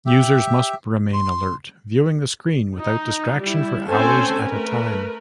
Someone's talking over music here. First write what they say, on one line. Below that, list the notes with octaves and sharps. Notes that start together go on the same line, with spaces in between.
Users must remain alert, viewing the screen without distraction for hours at a time.
G4 E5
C6
D#4
G3 E4
A3 C4 C#4 A4 C5 G#5
A3 A#4 B4